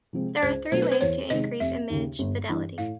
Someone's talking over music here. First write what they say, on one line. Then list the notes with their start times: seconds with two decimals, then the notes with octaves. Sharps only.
There are three ways to increase image fidelity.
0.13 C3 F3 G#3 C4
0.42 C#2 C5
0.72 B2 F#3 A3 D4 C5
0.82 B4
0.92 C5
1.01 E2 C#5
1.30 C3 D#3 G#3 D#5
1.60 F1 E5
1.90 D#2 C#3
2.19 G1
2.49 G2 E3
2.78 A2 F5